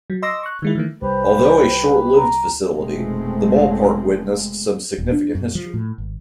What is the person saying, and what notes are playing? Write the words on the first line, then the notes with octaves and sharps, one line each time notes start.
Although a short-lived facility, the ballpark witnessed some significant history.
F#3
D#5 C6 D6 E6 A#6
C#6 F#6
D#3 G#3 E4
D#3 E3 A3
C2 G4 B4 C5
A#5
F1 B2 G#3 A3 C4
D#1
D4
F#2
F3
A2
G#1